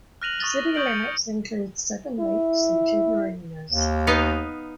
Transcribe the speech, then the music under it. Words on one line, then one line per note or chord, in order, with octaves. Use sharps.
The city limits include seven lakes and two marinas.
F6 F#6 A#6 D#7 F7 F#7
C#6 D#6 A6 G7
A#6
C#6 D#6 G6 D7 F#7
G6 C#7
C#7
E4
D#2
B3 D#4 F5